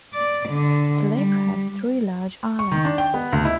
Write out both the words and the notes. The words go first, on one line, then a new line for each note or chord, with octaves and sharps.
The lake has three large islands.
D5
D3
G3
C#6
D#3
D4
G5
B3
D2
E4